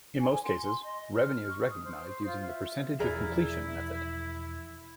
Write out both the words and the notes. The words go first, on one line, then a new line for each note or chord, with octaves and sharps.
In most cases, revenue is recognized using the Percentage of Completion Method.
G#5
C6
D#5
F6
C#6
D#6
C5
C5
F4
E5
E1 F3 E4 G#4 A#4 D5